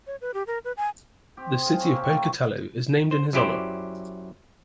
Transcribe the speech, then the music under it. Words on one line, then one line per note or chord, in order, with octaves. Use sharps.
The city of Pocatello is named in his honor.
C#5
B4
G4
A#4
B4
G#5
C4 G4
F4 G#4
C#5 E5
A#3 F4 G4 A#4
F3 F#3 A3
C5
F#2 F#3 E4 G4 C5 D5